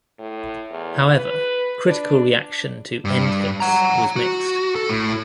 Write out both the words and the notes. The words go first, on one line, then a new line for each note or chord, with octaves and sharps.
However, critical reaction to "End Hits" was mixed.
A2
E2
B4
D4
G2
F#5 A#5
F#4
A4
A2